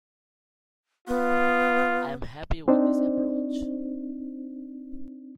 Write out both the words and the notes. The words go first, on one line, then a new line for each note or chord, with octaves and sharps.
I'm happy with this approach.
B3 F4
C4 D4 D#4 C5 D5